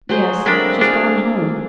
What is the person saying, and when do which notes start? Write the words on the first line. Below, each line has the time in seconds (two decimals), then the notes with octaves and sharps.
"Yes, she's gone home."
0.09 F#3 G#4 C5
0.46 D3 G#3 A#3 C4 D4 A#4 E5 B5
0.81 D4 G#4 F5